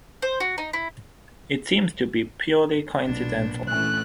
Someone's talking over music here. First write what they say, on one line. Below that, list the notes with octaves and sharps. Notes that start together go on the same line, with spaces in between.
It seems to be purely coincidental.
C5
F#4
D#4
E4
B1 A#2 B3 D4
A#2 E3 A3 C#4 F#6